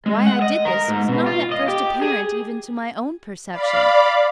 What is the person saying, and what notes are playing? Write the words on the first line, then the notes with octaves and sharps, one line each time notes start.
Why I did this was not at first apparent even to my own perception.
G#3
F#5
D#5
A#4
G#2
B2
F4
D#5
G4
G#4
D5 F5 B5 D6